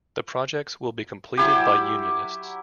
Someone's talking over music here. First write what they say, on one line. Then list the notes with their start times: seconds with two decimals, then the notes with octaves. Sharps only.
The projects will be completed by unionists.
1.37 F#3 E4 G4